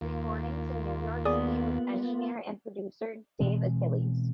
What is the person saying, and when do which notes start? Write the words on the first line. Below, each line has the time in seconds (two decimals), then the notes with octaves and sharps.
Recordings in New York City with engineer and producer Dave Achelis.
0.01 D#2 A#3 F4
1.25 B3 G#4 D5 D#6
3.40 B2 E3 G#3 C4